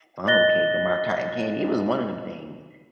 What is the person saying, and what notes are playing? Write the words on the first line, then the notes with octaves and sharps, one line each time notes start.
funnel cake, or my cotton candy it was one of them things.
D#5 F#6 A6 A#6 G7